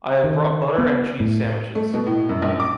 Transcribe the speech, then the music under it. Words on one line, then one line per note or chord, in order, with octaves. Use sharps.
I have brought butter and cheese sandwiches.
D#3
B3
A2
A3
B2
A2
F#2
A#1
D6